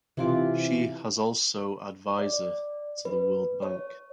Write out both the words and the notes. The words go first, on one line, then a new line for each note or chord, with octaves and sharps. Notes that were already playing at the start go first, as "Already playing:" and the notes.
She has also advisor to the World Bank.
C3 E3 F4 D6
D5
B4
C#5